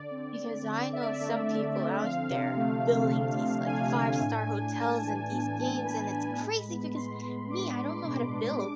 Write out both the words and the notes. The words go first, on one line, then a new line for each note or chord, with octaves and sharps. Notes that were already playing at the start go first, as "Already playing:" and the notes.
because I know some people out there building these, like, five-star hotels and these games and it's crazy because me, I don't know how to build.
Already playing: D3 D5
C4
D3
D3
D3 E5
D5
E5
A3
D3
C4
F3 F5
C3
A3
F3
D4
F3
D4 G#5
D4
A2
D4
A2 A5
E3
B3
B3
A2 B5
A2
G#3
B3
B3 C6
B3
D4 D6
D4
B2
D4
G#3 D6